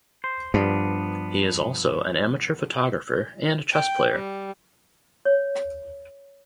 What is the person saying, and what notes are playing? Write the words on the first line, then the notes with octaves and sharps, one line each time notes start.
He is also an amateur photographer and chess player.
C5
G2 F3 B3 D4
G5
G3
C#5